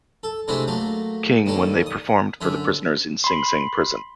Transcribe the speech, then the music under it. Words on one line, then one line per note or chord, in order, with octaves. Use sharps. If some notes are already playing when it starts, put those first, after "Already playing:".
King when they performed for the prisoners in Sing Sing Prison.
A4
C3 G#3 A3 C4 D4 E4
F#3 A3 A#3
D#2 G3 A#3 A4
D#6
F#2 D3 E5
B5 C6